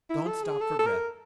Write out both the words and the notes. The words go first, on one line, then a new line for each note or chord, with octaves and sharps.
Don’t stop for breath.
E4
A4
G#4
A4
A4
A#4